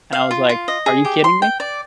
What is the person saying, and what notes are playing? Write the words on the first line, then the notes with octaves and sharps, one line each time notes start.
And I was like, "Are you kidding me?"
F5
F4
F4
D#5
G#4
G4
C6
G5
D5